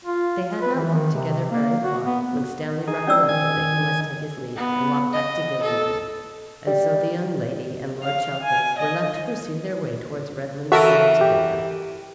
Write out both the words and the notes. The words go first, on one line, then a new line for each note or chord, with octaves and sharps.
They had not walked together very far, when Stanley recollected that he must take his leave, and walk back to Gylingden; and so the young lady and Lord Chelford were left to pursue their way towards Redman's Farm together.
F4
B4
E3
D#3
C3
A#3
F#4
B3
D#4 G#4
C#4 D5 E6
D#3 G#5 G#6
B3
D#5
A4
G3
F5
G#5
D#5
E3 F#4 A4 A#4 E5
G4